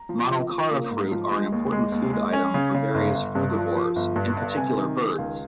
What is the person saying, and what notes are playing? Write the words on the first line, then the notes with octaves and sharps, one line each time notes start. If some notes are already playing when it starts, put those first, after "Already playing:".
"Manilkara" fruit are an important food item for various frugivores, in particular birds.
Already playing: A#5
F3
F3
F3
A#3
G#2
F3
G#3
D#2
G#3
D#2
G#3
C#4
C#3
C#3
G1
G1
G2
F3
F3
G1
G2
G1
C3 G#5
D#3
D#3
C#2